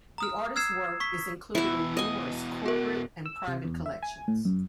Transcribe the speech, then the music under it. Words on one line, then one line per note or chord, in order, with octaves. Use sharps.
The artist's work is included in numerous corporate and private collections.
A#5 D#6 F6
E6 F6 G#6 C7 E7
C#6 B6
E2 B2 E4 E5
D#5 G#5
F#4 A#4
E6
C3
E2
E5
G#5
A2
F#2